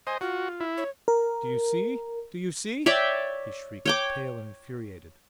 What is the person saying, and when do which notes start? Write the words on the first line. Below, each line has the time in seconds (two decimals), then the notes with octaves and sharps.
"Do you see, do you see?" he shrieked, pale and infuriated.
0.07 C5 D#5 G#5
0.21 F4 F#4
0.60 E4
0.77 C#5
1.08 A#4
2.86 C#5 D5 E5 G5
3.86 C#5 G5 D6